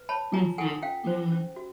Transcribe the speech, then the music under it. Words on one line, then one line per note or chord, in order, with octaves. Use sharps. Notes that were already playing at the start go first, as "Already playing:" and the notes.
Mhm, mhm.
Already playing: B4
C#5 A5 B5
F4 G#5 A#5
A4 F#5 G#5
C#4 F5 G5
C5
C#4
F#4